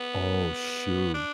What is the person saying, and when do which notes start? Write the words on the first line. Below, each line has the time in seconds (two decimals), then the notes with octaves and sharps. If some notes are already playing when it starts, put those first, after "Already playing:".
Oh, shoot.
Already playing: B3
1.14 D4